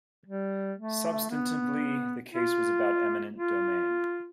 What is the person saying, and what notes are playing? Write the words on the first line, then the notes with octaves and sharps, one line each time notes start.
Substantively, the case was about eminent domain.
G3
A3
B3
F4
F4